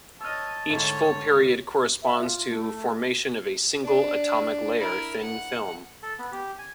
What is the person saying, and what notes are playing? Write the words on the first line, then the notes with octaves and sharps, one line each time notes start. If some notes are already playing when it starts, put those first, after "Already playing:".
Each full period corresponds to formation of a single atomic layer thin film.
C#5 D#5 A5 E6 F6
D2 G#2 C#4 C#5 D#5
E5
F4
A3
D4
E4 A#4
F#5
A4
B3
G4
G#5